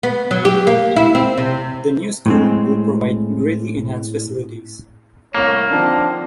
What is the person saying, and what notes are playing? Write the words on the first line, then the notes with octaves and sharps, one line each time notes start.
The new school will provide greatly enhanced facilities.
B3
F#3
G4
A#3
E4
C4
C3
A2 G#3 C4
C2 A2 A#3 C#5
D3 D#3 F3 C4 D4